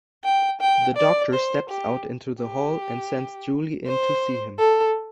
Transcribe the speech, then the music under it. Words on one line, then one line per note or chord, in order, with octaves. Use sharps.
The doctor steps out into the hall and sends Julie in to see him.
G5
G5
D5
C5
G4
G4
C5
A4